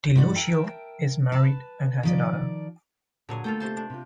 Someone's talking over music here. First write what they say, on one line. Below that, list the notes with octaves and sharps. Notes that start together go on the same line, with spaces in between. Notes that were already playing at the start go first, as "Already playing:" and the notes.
DiLucchio is married and has a daughter.
G#2 F#4 D5
A#4 E5 G5 A5
B4 A5
D#3 F3 D5
A#2 D3 F#3 G#4
A3 A#3 F4 A4 G5
C3 C5 A5
D4
C3 F4